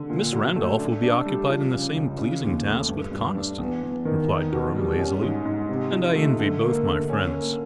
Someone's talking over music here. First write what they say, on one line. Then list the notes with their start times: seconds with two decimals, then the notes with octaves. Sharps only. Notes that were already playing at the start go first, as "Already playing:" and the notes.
"Miss Randolph will be occupied in the same pleasing task with Conniston," replied Durham, lazily, "and I envy both my friends."
Already playing: D3
0.10 A#2
0.33 F#3
0.56 A3
0.78 D4
1.03 D4
1.26 G3
1.49 F3
1.73 C#3
1.96 C#2
2.18 C#3
2.43 D#2
2.66 A3
2.89 G2
3.12 G2
3.35 D4
3.58 E2
3.83 E2
4.05 D#3
4.29 D#4
4.53 B2
4.76 G3
4.99 C#4
5.22 G#2
5.45 G#2
5.69 C3
5.92 F3
6.16 A3
6.39 D3
6.63 A#3
6.85 D3
7.10 C#4
7.33 A#3